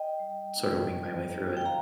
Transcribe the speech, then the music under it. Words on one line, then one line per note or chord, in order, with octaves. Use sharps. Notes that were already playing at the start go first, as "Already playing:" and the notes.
sort of wing my way through it.
Already playing: D#5 G5
G3
A#3 D#4
G3
A#3 D#4
G5
G3 F5 A#5